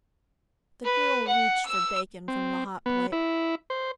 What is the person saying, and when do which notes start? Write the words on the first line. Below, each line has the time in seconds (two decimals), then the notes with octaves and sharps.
The girl reached for bacon from the hot plate.
0.85 B4
1.27 F#5
1.65 E6
2.28 C4
2.86 B3
3.12 E4
3.70 C5